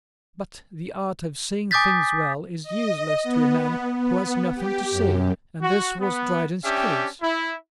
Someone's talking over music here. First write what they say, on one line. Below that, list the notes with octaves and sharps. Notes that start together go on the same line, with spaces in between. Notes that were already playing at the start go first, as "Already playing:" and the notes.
But the art of saying things well is useless to a man who has nothing to say; and this was Dryden's case.
G#5 D6 D#6 G6 A6 B6
D#5
B3
B3
G4
F#2
F#4
B3
C#4 D4 G4 E5 G5
E4